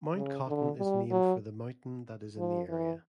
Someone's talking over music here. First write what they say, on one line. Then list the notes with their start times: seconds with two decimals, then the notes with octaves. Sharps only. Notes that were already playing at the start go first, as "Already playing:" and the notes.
Mount Cotton is named for the mountain that is in the area.
0.15 C#3
0.47 D3
0.78 G3
1.11 F#3
2.38 F3
2.69 E3